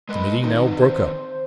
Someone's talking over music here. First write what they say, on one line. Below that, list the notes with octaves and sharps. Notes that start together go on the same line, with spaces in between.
The meeting now broke up.
G#3 A#4 B4 D#5
D#3 C4 D#4 B4
C5